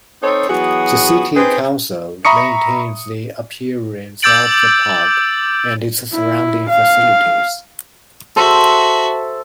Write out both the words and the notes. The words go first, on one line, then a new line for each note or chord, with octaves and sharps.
The City Council maintains the appearance of the Park, and its surrounding facilities.
C4 D#4 A4 C5 C#5
E3 F#3 B3 F#4 G#4
C4 D#4 G#4 B4
E5 A#5 B5 C#6 D#6 C#7
D6 E6 G6 A6 D7 F#7
E4
F5
F#4 A4 C5 E5